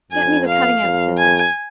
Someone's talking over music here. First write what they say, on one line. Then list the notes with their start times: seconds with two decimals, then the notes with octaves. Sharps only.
Get me the cutting-out scissors.'
0.11 F2 G#5
0.47 F5
0.82 F2
1.18 G#5